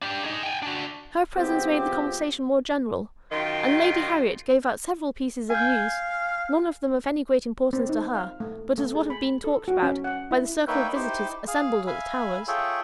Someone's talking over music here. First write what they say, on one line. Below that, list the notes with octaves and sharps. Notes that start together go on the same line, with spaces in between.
Her presence made the conversation more general, and Lady Harriet gave out several pieces of news, none of them of any great importance to her, but as what had been talked about by the circle of visitors assembled at the Towers.
D4 G4
D#4 G#4
G5 G#5
D4 F#4
C#2 F3 B3 C4 G4
F#2 D#3 F4 G5 C6
F5 G#5 G6
C4
D#4
F5
A3
A3
G#4
B5
A4
F#4
C#4
F#5
E4
A#3 D#4 B4 C#5 E5 G5
D#4 E4 G4 C5 G5 D6
G#4 F5
E5 F5 G#5 B5
F4 G#4 A4 C#5 E5 G5